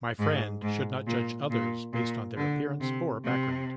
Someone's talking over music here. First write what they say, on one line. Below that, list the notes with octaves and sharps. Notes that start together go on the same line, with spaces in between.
My friend should not judge others based on their appearance or background.
G#2
G#2
A#2
A#2
A#2
D3
C3
C3